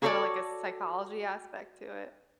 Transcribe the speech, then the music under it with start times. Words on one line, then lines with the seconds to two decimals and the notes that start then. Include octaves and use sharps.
kinda like a psychology aspect to it.
0.02 F#4 G#4 A4 B4 C#5 D5